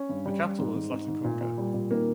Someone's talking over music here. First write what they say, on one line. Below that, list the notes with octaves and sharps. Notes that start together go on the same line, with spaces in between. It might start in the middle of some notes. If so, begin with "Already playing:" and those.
The capital is Latacunga.
Already playing: C#4
G2
G3
G3
G#2
G#2
G#2
G#2
A#2
A#2
G3
A#2
D#3 A#3